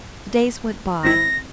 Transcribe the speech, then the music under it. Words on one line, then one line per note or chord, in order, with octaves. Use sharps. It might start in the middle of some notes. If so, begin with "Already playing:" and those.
The days went by.
G#1 C4 E4 A#6